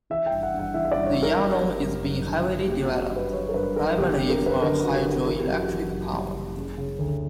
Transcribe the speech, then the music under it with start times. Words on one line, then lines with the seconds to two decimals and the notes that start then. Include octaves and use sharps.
The Yalong is being heavily developed, primarily for hydroelectric power.
0.10 E3 E5
0.26 G5
0.32 G2
0.43 F#5
0.54 G2
0.59 F#5
0.74 E3 E5
0.85 E5
0.92 G2 D5
1.07 C#5
1.18 G2 A#4
1.40 G3
1.62 G3
1.82 F#1
2.04 F#2
2.26 D3
2.47 D3
2.68 A#3 G4
2.85 F#4
2.91 F#3
3.01 G4
3.11 G2
3.16 B4
3.33 F#3 C#5
3.49 A#4
3.54 G2 B4
3.76 F#3 A#4
3.98 G1 G4
4.13 G4
4.19 D3
4.30 A#4
4.40 F#2
4.46 B4
4.62 D3 A#4
4.83 F#2 F#4
4.94 G4
5.05 D3
5.11 G4
5.26 E3 A#4
5.40 G4
5.48 F#2 F#4
5.63 G4
5.70 E3
5.92 F#1
6.13 G3
6.34 F#1
6.57 C#3
6.77 C#3
6.99 D2